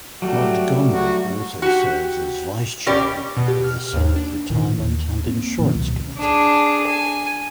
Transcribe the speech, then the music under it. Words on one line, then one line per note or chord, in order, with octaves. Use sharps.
Montgomery also serves as vice chair of the Senate Retirement and Insurance Committee.
F#3 G3 A3 F#4
F#4
F#4 G4
B2 C#4 G4 D5
B2
G4
F6
D#2
D4
A#2 D#3 E3
D#2
A#3 C4
A#2 D#3 E3 F#3
C#2 B2
D4 G#4
G#5